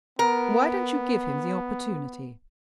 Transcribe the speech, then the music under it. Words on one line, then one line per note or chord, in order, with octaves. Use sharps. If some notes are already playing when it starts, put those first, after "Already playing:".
"Why don't you give him the opportunity?"
B3 A#4